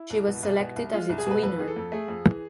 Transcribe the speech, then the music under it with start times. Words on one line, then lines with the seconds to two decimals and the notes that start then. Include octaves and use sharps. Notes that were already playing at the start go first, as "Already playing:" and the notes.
She was selected as its winner.
Already playing: E4
0.10 C2
0.27 B2
0.43 C2
0.59 B2
0.76 C2
0.92 G#3 F4
1.09 C2
1.18 G#4
1.27 B2 B4
1.43 F2 B4
1.59 E3 G#4
1.68 A4
1.76 F2
1.92 A3 G#4
2.08 F2
2.26 E3